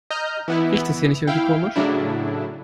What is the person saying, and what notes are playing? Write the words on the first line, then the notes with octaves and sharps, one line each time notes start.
Riecht es hier nicht irgendwie komisch?
D#5 A#5 F6 G6
E3 B3 E4
E4 F5 G5
A2 C#3 F#3 D4 E4